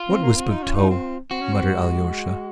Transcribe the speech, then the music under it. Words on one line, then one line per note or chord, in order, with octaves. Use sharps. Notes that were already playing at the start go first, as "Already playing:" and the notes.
"What wisp of tow?" muttered Alyosha.
Already playing: F4
C4
A#3
C4
D#4
C#4
D#4
C4
C4 F#4
C#4
C4
G#3